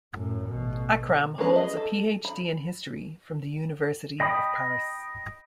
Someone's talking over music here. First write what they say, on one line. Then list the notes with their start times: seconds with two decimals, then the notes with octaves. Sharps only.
Akram holds a PhD in history from the University of Paris.
0.14 F#2 A2
0.47 A1 B2
1.38 G#3 B3 C#4 A#4 B4
1.56 G#4 B4 D#5
1.77 A4
2.25 B5
4.20 D#5 G5 B5 D#6